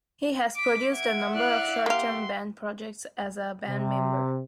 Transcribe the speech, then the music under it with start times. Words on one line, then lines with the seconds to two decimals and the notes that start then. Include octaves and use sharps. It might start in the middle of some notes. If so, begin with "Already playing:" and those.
He has produced a number of short-term band projects as a band member.
0.55 D6 B6
0.95 E5 F#5 G#6 D7
1.34 E4 D5 F5 F#6
1.86 A#3 G4 F5 C6
3.67 C3